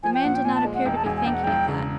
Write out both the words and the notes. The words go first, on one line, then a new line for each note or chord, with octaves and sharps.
The man did not appear to be thinking of that.
F3 G#5
G5
A#2 F#5
G5
A#2 G#5
A5
G#3
F#5
E1 G5
A5
E1 G#5
G#5
E1 G5
F#5
E1 G5
C#3